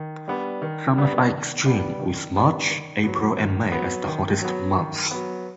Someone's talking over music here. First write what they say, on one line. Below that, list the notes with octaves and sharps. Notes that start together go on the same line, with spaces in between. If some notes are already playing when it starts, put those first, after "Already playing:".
Summers are extreme with March, April and May as the hottest months.
Already playing: D#3
G3 B3 D4
D#3
G3 B3 D4
D#3
G3 B3 D4
D#3
G3 B3 D4
D#3
F#3 B3
D#3
F#3 B3
D#3
F#3 B3
D#3
F#3 B3